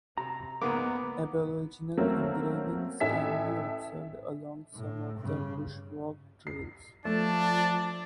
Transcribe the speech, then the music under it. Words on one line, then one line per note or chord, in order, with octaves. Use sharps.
Aboriginal engravings can be observed along some of the bushwalk trails.
C3 A#5
C#2 G#2 G#3 A#3 B3 D6
F#3 A3 A#3 C4 C#4
A1 A4 E5 G#5 B6
A2
G2 C#3
C7
F3 A3 D4 A5